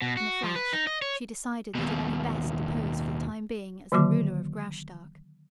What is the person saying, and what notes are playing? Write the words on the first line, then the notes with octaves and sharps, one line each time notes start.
In a flash she decided that it would be best to pose for the time being as the ruler of Graustark.
B2
F#4
F3
B4
D#4
D#5
C#5
D#2 B2
D3 D#3 F#3 A#3 F#4 D6